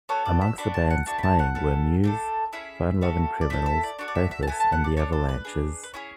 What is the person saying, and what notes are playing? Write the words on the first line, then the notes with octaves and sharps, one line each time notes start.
Amongst the bands playing were Muse, Fun Lovin' Criminals, Faithless and The Avalanches.
B3 F#4 A4 C#5
D5
E5
B3 D4 F#4 B5
A5
F#5
A3 D4 F#4 A5
B5
A5
F#5
C#4 E4 A4
A3 D4 A4
C#4 E4 G#4 E5
C#4 F#4 A4
D5
A3 E4 A4 E5
E5
D5
D4 F#4 A4 C#5
D5
E5
E5
A5
B3 E4 A4 G#5
A5
F#5
D5
D4 A4 C#5
A4
B4
D4 G#4
B4
C#4 E4 G#4 C#5